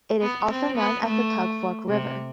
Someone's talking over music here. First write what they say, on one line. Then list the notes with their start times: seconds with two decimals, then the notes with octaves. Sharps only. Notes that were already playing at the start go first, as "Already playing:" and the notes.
It is also known as the Tug Fork River.
0.21 B3
0.50 C4
0.77 B3
1.06 A3
1.89 C3